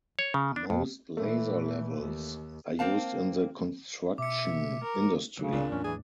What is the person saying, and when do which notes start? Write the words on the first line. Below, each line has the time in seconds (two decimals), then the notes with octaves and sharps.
Most laser levels are used in the construction industry.
0.19 C#5
0.34 C#3
0.56 D4
0.70 F2
1.17 A#2 E3 A3
2.00 D#2
2.79 A#3 C4 F5 A5
4.18 B2 E5 D6 C#7
4.82 A#4
5.39 C#3 F#3
5.53 C#2 A#2 C4 D4
5.71 E2 A2 F#3 C#4
5.84 E3 G#4